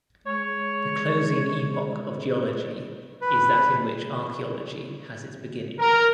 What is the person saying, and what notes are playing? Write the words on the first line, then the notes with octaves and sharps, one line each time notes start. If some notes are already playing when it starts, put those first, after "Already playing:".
The closing epoch of geology is that in which archaeology has its beginning.
G#3 C#5
B4
A#4